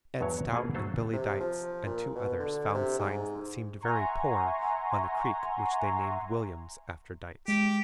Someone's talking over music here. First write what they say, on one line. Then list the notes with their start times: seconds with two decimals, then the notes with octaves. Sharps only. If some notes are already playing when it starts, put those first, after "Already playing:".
Ed Stout and Billy Deitz and two others found signs that seemed very poor on a creek which they named William's after Deitz.
0.21 E2 G2 F#3 C#5
0.52 B2 E3 A#3 F4 G#4
0.74 F#3 A3 A4 C5 F5
1.13 C3
1.40 F3
1.87 A#2
2.16 B2
2.40 D3
2.75 C3
2.99 G#2
3.81 E5 F#5 G#5 A#5 C6 C#6
7.48 G#3 G4